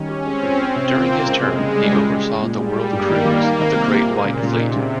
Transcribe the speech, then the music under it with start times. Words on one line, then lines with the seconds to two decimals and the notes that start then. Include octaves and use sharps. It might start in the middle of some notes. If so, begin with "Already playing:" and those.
During his term, he oversaw the world cruise of the Great White Fleet.
Already playing: D#3 G3 C#4
0.09 G4
0.26 G#3 C4
0.43 F2
0.59 C4 C#4
0.76 C3
0.93 A#3 F4
1.09 F4
1.26 C#2 G#3
1.43 C3
1.59 C#3 G3
1.76 G#3
1.93 C#2
2.10 C#2
2.26 G#3
2.42 A#2
2.59 G3 G#3
2.76 G#3
2.92 G2 A#3
3.09 D#3
3.25 D#3
3.42 D#4
3.59 C3 D#3
3.76 A#3
3.93 A#2 G4
4.10 G#3
4.26 C#3
4.43 C#3
4.59 C3 D#4
4.76 C#3